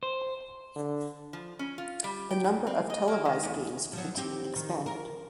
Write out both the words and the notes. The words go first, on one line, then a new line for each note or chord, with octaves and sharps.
The number of televised games for the team expanded.
C5
D3
F3
C#4
F4
G3
G5
G#2
C4
D#5
A#3
D#3
E2
F3 F#3
C4 G4
D#3
A#4